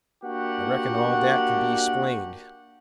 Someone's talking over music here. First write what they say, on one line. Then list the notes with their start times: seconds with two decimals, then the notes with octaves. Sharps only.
"I reckon all dat kin be 'splained."
0.23 A#3 D4 F#4 G4 F#5